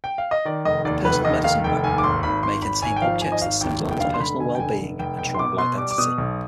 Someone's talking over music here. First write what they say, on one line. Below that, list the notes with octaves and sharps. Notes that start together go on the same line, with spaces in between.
A personal medicine bag may contain objects that symbolize personal well-being and tribal identity.
G5
F5
D#5
D#3 D5
F1 D#5
D#2 D5
F1 B4
D#2 D#5
D#3 F5
F1 G5
D#2 G#5
D6
G#1 C6
G#1 B5
G#1 C6
G#1 B5
G#1 G#5
G5
F3 F5
G#1 G#5
D#5
G#1 F5
D#2 G5
F1
G5
D3 F5
C6
F1 B5
D3 G#5
G5
F1 G#5
F1
F1 G5
B1 G5
C6
B2 D6
B2 C6
G3 D6
D6
B2 D#6
B1